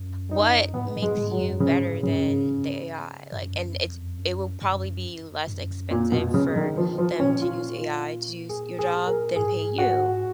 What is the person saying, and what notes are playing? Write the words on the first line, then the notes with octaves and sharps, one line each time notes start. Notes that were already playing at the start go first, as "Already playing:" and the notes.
what makes you better than the AI? Like, and it's it will probably be less expensive for them to use AI to do s your job than pay you.
Already playing: F#2
D#4
G#2 B3
G#2
G#3
G#2
F#3
F#2
G#2 C#3
G#2 C#3
F#2
G#2
F#2
F2
F#2
F#2
F#2
F2 A#2
B2
C#3
D#3
F3
F3
A#2 C#4
F4
G#4
G#4
A#4
G#2 G#4
F#4